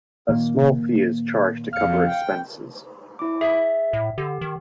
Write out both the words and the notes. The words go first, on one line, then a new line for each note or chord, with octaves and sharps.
A small fee is charged to cover expenses.
A#2 D#3 A#3
F2 F5 F6 C#7
G5
E4 D6
G#4 E5
A2
D3 G4
D#3